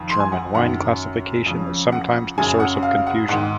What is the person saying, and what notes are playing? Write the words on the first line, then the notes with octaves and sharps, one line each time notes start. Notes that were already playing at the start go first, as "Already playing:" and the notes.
German wine classification is sometimes the source of confusion.
Already playing: F2 D#3
C6
G#5
F#5
F#2 D#3 F#5
F2 C#3
F#5
F#2 C#3 G#5
F#5
F5
F#5
G#2 D#3 F#5